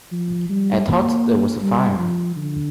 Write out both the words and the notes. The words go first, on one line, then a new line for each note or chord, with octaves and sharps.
I thought there was a fire.
F3
G3
A#3
G3
F3
D3